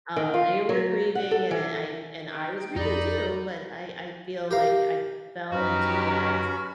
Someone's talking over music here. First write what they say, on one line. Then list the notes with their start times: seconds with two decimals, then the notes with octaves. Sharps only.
um, they were grieving, and, uh, I and I was grieving too, but I I feel like I fell into that,
0.16 D#3
0.34 F4
0.69 F#3
1.15 F#5
1.31 A4
1.51 E3
2.29 D#4 G5
2.76 F2 D#4 D5 A#5 B5
4.51 G4 A#4 F5
5.51 F#2 C#4 D#4 F#4 G4 B4 F6